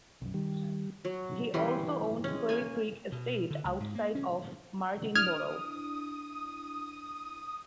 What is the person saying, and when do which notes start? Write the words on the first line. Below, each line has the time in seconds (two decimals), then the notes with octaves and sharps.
He also owned Clay Creek Estate outside of Martinborough.
0.21 B1 F#2
0.34 D#3 G3
1.05 F#3
1.54 E3 G3 C#4 C6
2.24 G#3 C#4
2.49 A#3 G#5
3.12 B2
3.50 D3
3.65 C#2
3.80 G#2
3.95 A#3
4.15 C#4
5.16 D4 E4 D#6 F6 G#6